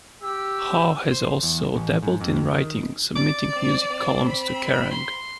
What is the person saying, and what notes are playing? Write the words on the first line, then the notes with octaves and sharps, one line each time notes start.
Haug has also dabbled in writing, submitting music columns to Kerrang!
G4 E6
C5
E2
A1
G#2
F2
D#3
D5 D6
C4
C4
B5
C6